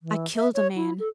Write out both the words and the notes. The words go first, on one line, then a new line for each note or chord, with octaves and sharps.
I killed a man.
E3
E5
C#5
E4
A4